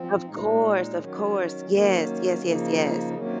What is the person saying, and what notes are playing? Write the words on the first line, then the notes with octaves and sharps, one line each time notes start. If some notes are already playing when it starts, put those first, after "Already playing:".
Of course, of course, yes, yes, yes, yes,
Already playing: F3 C4
A#2 G#3 D#4
D#3 F#3 C#4
D#3 F#3 A#3 C#4
C#3 F3 A#3 D#4
C3 D#3 F#3 A#3 C#4